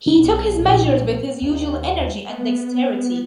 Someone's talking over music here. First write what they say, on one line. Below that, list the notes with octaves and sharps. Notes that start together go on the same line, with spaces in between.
He took his measures with his usual energy and dexterity.
B1
A#1
D#2
B3